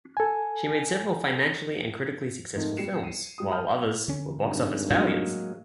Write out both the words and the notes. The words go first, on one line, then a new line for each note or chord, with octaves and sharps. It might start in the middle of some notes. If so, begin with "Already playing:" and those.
She made several financially and critically successful films, while others were box office failures.
A4 G#5
F2 G#2 F3 A3 A#3 D#4
A#2 G3 C7 C#7 E7
C7 D#7
F#3 G3 D#6
F5 A5 D#6 F6 G6
D3 C#4
G#1 G2
A2 F#3 G#3 A#3 D4